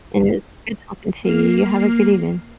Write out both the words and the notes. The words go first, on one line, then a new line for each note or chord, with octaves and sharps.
and it's good talking to you. You have a good evening.
A#3 F6 C7